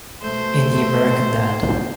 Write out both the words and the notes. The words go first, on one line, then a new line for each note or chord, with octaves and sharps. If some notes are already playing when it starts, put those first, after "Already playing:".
In the American Dad!
B2 A3 C5